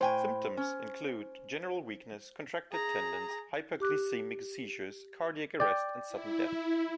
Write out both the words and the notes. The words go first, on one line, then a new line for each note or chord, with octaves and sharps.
Symptoms include general weakness, contracted tendons, hypoglycemic seizures, cardiac arrest, and sudden death.
A2 C5 G5 G#5
C#4
G#4 A#5
G4 D6 F#6
D5 G5
E4